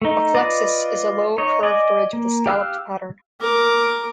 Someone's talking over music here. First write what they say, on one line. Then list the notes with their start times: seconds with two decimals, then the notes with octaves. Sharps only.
A flexus is a low, curved ridge with a scalloped pattern.
0.02 A3 D#4
0.34 F4 B4 D5 D#5
1.38 D#4 C#5 D#5
1.63 D5 D#5 G#5
2.13 A#3
2.46 G4 F5 E6 F#6
3.41 A#4 D6